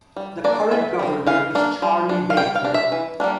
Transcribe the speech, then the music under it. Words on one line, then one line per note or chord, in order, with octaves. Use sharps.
The current governor is Charlie Baker.
G3
A#3 D4 D5
E3 E5
G3 C4
E3 F5
A#3 D4
G3
D4
F5
G3 G5
F5
D4
E5
E3
G3 A#3 D4